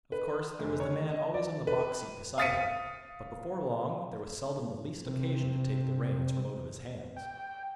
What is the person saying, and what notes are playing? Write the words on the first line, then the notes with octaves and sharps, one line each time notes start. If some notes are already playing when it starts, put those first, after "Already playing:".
Of course there was the man always on the box-seat beside him, but before long there was seldom the least occasion to take the reins from out of his hands.
B4
F1
C#5
D#5
D5
B4
F5 D#6 A6 B6 C#7 D#7
C3
G5